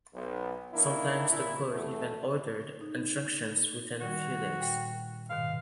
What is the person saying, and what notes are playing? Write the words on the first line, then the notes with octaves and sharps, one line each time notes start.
Sometimes the court even ordered injunctions within a few days.
B1
D#3 A#3 D4 E4
A#2 E4
E2 A3
D#4
D#3 G3 F#4
A#2 G5
G#2 B2 D#3 F5